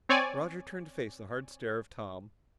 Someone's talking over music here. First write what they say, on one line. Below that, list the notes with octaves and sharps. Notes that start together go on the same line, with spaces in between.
Roger turned to face the hard stare of Tom.
C4 C#5 D5 G#5